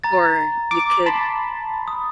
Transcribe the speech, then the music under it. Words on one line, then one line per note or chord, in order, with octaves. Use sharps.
Or you could
A#5 A6
D6
A5 B5 C6
D#6